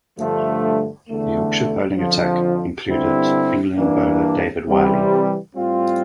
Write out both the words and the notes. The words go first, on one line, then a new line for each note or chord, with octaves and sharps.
The Yorkshire bowling attack included England bowler David Willey.
G2 D3 F3 A3
E2 D3 A3
F2 D3 F3
G2 D3 G3 C4 E4
G2 E3 A#3 D4
C3 E3 G3 C4
A2 G3 C4 F4